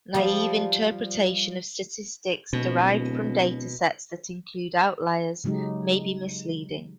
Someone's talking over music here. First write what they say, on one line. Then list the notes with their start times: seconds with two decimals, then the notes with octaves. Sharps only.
Naive interpretation of statistics derived from data sets that include outliers may be misleading.
0.15 F3 G3
2.53 D1 B2
5.44 C#3 F#3 G#3 D#4 G4